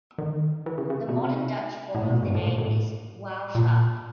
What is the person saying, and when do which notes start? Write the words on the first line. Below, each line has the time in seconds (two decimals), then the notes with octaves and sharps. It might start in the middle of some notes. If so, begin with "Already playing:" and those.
The modern Dutch form of the name is "Wouter".
0.18 D#3
0.66 E3
0.78 C#3
0.90 C#3
1.09 B2
1.15 C3
1.94 A2
2.02 A#2
2.10 B2
2.23 G#2
2.35 A2
2.47 A#2
2.58 A2
3.55 A#2